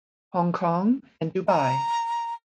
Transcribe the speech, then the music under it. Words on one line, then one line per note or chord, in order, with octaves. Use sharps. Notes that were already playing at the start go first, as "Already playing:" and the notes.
Hong Kong and Dubai.
A#5